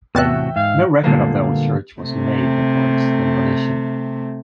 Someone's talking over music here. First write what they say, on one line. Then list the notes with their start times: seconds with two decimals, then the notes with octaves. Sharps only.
No record of the old church was made before its demolition.
0.15 E2 A2 C3 F#4 E5 G5 A5 F#6
0.56 G#2 F5
1.03 A#2 D3 G3 G#3 A#3 B3
2.00 C3 A3